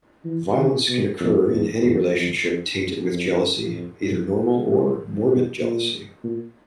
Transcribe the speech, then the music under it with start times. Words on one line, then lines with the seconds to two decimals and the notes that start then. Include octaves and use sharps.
Violence can occur in any relationship tainted with jealousy, either normal or morbid jealousy.
0.25 E3
0.57 D#3
0.89 B2
1.20 F2
1.51 E2
1.82 E2
2.14 F2
2.46 F2
2.77 F#2
3.09 F2
3.72 F2
4.03 F#2
4.67 G#2
5.30 B2
5.61 A#2
6.24 A#2